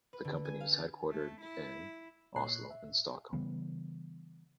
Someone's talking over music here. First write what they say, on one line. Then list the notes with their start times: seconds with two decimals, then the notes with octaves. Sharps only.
The company is headquartered in Oslo and Stockholm.
0.13 B4
0.25 D3
0.45 G#5
0.60 F5
0.73 A6
1.09 A3
1.40 E4
2.36 A#2 C#5 D#5 F#6 C7
2.70 E5
3.33 C#3 E3 G3 B3